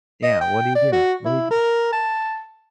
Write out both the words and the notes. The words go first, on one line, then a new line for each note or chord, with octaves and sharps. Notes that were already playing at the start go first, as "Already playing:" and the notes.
yeah, what do you do? What do you do?
D#5
G5
D5
F#4
E4
A#4
A5